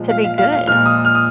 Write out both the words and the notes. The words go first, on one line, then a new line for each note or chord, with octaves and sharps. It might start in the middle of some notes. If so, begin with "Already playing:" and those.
to be good,
Already playing: A#2 F3 G#3
F5
F5
F5
F5
A#2 F3 G#3 F6
D#6
F6
D#6